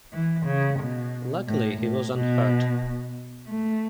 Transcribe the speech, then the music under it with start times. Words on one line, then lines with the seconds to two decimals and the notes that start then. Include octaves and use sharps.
Luckily, he was unhurt.
0.13 E3
0.46 C#3
0.80 B2
1.47 A2
1.82 A2
2.15 B2
3.49 A3